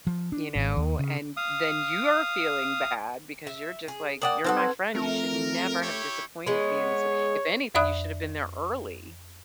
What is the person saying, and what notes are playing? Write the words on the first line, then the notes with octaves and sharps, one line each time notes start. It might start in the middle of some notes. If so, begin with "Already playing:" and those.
You know? And then you're feeling bad, because you're just like, "You're my friend, you should never have disappointed me in this way if anything, you should have been there early
F3
D4
G#1
D#2
C#3
F5 D#6
E5
G#4
A#3 D5 F#5 G5 D#6 F#7
C4 D#4 A4 B4 F#5 D#6
B4 C6 G#6
F2 A3 A#4
E4 G4 C#5
G#3 B3 C#5
F2 D5 E5 B5 D#6 F#6